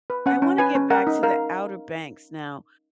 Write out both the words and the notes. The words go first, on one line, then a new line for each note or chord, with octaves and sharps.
I wanna get back to the Outer Banks now,
B4
C#4 F#5
C#4
B4 G#5
C#4
A#4 F#5
D#4
A#4 F5